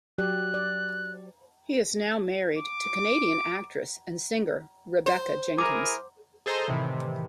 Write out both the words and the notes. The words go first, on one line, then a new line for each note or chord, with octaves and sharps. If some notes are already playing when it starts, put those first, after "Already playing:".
He is now married to Canadian actress and singer Rebecca Jenkins.
F#3 G4 D5 F#6
D5
D6
C5
E4 G#4 A#4 D6
G#4 A4 C5 D#5 A#5
A2 C3 D#3 E3